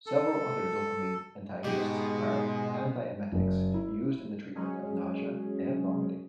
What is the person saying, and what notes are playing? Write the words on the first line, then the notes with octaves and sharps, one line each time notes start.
Several other dopamine antagonists are antiemetics used in the treatment of nausea and vomiting.
A4
G#2 B2 G#3 G4
F#1
E4
F#3 G#3 C#4 G#4